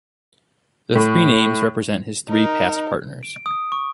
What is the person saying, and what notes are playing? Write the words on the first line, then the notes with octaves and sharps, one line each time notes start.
The three names represent his three past partners.
A2
D#4 A#4
D7
D#6
C#6